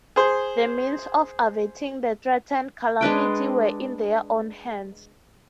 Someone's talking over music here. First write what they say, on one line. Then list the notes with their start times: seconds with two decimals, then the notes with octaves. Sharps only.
The means of averting the threatened calamity were in their own hands.
0.16 G#4 C5
3.01 G#3 D4 B4 G5